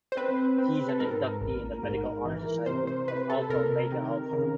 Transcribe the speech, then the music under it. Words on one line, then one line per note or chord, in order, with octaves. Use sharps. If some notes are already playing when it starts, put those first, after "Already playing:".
He is an inductee in the medical honor society of Alpha Omega Alpha.
C5
C4 B4
C4
A4
G#2 A#4
A1
G#2
E3
C3 C5
C5
C3 B4
A4
C3 A#4
D#3
C#3